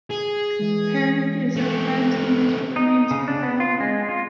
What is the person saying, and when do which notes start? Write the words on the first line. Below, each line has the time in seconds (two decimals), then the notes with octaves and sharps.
Peric is of advanced years but remains fairly healthy.
0.11 G#4
0.59 E3 G#3
1.56 A3 C4
2.76 D#4
3.11 C#3
3.28 D4
3.43 B3
3.60 F4
3.80 G#3
4.09 F4